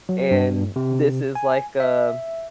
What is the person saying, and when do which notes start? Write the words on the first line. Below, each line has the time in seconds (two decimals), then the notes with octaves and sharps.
and this is like a
0.09 F#3
0.31 G2
0.76 C3
1.35 G#5
1.80 E5